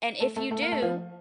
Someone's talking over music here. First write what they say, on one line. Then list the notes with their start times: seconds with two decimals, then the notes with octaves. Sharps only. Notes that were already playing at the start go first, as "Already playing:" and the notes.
and if you do,
0.20 A3 A4
0.36 A3 A4
0.51 A3 A4
0.61 A#3 A#4
0.72 A3 A4
0.82 F3 F4